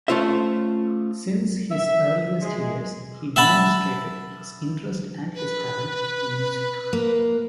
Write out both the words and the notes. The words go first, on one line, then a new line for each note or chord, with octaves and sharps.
Since his earliest years, he demonstrated his interest and his talent in music.
A3 C#4 F4 C5 E5
E5
G#3
E5 F#5 A5 B5
B4
A#3